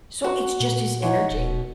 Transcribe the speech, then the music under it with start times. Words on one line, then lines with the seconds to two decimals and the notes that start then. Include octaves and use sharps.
So it's just his energy?
0.24 F#4
0.60 A#2
1.02 D#4 C#5 F#5
1.31 D#1 B2